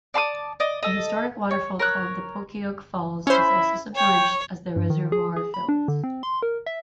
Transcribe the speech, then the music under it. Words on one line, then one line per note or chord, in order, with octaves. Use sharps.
A historic waterfall called the Pokiok Falls was also submerged as the reservoir filled.
D5 A5 C6 D#6
D5 D#5
A4 D#5
C#5
A#4 C#5 F#6
C#4 E4 C5 E5 B5
C#5 G5
G2
D#3
G#4
G#4
B5
D4
D3
C4
C6
A#4
E5